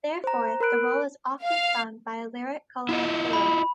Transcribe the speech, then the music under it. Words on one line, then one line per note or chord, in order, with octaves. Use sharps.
Therefore, the role is often sung by a lyric coloratura.
C5 A#5
A#4 B5 F#6 D7
F5
E4 F4 D#5
B5